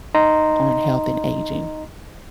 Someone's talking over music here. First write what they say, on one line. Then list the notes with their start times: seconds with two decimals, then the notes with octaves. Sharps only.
on health and aging
0.15 D#4 D#5 A#5 C6